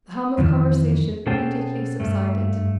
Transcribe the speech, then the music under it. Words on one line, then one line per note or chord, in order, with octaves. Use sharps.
The hum of conversation immediately subsided.
F2 D#3 E3
B2 C#4 G#4 A4 C5 G5
G2 A3